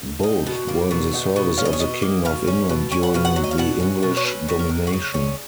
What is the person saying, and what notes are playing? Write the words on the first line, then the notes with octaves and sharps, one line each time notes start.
Both were in the service of the king of England during the English domination.
D#4
B2
A#3
B2
D#4
B2
C#4 F5
D#5
C#5
B2 D#5
A#3
B2 F5
C#4
B2
C#4 G#5
F#5
B2 F5
F#5
F#3
D#5
F5
B2 F#5
C#4
B2
C#5
C#4 B4
C#3
A#4
G#3
F#4
C#3 G#4
C#4